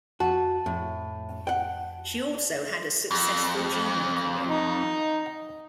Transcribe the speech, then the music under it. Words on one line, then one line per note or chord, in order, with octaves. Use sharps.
She also had a successful junior career.
F2 F#4 A5
F2 A2
F#5 G5
F2
D#4